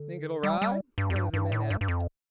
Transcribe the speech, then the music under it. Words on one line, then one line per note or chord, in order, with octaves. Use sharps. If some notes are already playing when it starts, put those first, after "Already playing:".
"Think it'll ride?" one of the men asked.
Already playing: D3
G3
G3
G2
F2
G2
G2
A2
G2
G2
F2